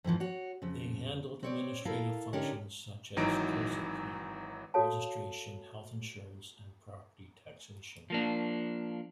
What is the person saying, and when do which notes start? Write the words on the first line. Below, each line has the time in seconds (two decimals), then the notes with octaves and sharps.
They handle administrative functions such as "koseki" registration, health insurance, and property taxation.
0.04 F2 G#2 E3 F3
0.20 F#4 C#5
0.62 F2 C#3
1.43 C4 C#5 D5
1.85 E4 A4 A#4 F5
2.33 D3 C#4 D#4 G4 G#4 A#4
3.17 G#1 E3 F#3 D#4 A#5 D7
4.74 F#4 A4 C#5 F5 A5
8.10 F3 A#3 D4